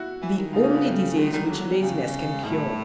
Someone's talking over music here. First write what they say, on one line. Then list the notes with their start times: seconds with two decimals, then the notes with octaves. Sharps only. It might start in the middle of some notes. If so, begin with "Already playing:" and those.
The only disease which laziness can cure.
Already playing: E4 F#4
0.22 E3
0.38 D#3
0.53 C#3 D#4 F4
0.63 C#4 D#4
0.74 A3 B3
0.85 G3 A3
1.17 D#3 F#3 G#3
1.33 D#3 G3
1.49 D3 F#3
1.60 F#3
1.70 G3
1.81 C#3 G3
2.33 G#3
2.45 A2 G3